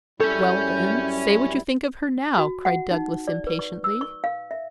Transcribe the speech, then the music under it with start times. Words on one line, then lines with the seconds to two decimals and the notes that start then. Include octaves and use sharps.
"Well, then, say what you think of her now," cried Douglas impatiently.
0.20 F#2 G3 C#4 E4 A4 C#5 G6
2.38 F#4
2.65 F#5
2.91 D#4
3.28 D5
3.47 B4
3.59 C#6
3.84 E6
4.01 C#6
4.24 F5
4.51 E5